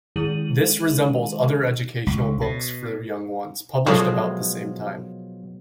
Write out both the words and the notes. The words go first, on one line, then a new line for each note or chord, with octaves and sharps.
This resembles other educational books for young ones published about the same time.
D#3 G#3 E4 G#4 D#7 F#7
C#2
B2
B2 F3 F#3 G#3 F4 A4 C#5 A5